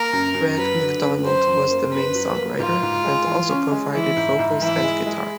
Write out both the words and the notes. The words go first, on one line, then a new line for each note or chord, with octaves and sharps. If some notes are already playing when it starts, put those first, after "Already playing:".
Greg McDonald was the main songwriter, and also provided vocals and guitar.
Already playing: A#3 A#4
F#2
F#2
F#3 B4
D3
F#2
F#3 C5
F#2
A#3
F#2 B4
F#3
A#3
G#2 F4
G#2
G#3
E3
C#4
G#3
E3 E4
G#2
G#2
E3 E4
G#3
G#3